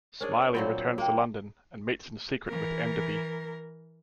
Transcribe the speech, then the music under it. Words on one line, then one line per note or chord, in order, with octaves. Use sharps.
Smiley returns to London and meets in secret with Enderby.
C#4 D4 G#4 A#4 C5
A#2 F#3 C4 B5
A#3 F#4 C5 G5
E3 A#4